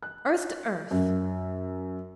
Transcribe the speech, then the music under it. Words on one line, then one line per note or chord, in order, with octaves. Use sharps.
Earth to earth!
F#6
F#2